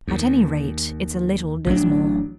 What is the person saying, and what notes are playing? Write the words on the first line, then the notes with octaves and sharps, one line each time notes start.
At any rate it's a little dismal.
D#2
A1 F#3 D4